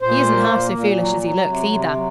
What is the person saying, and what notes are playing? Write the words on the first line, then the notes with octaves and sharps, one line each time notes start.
He isn't half so foolish as he looks, either.
A#2 C5
A#3
A#2
A#2
F#3
F#3
C3
C3
F#3